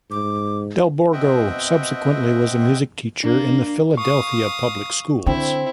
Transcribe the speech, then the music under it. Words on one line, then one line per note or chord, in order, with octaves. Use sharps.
Del Borgo subsequently was a music teacher in the Philadelphia public schools.
G#2 D6
B2 C4 D#5 E5 F#5 G5
A#3 D4
F5 C#6 D#6
D3 C4 E4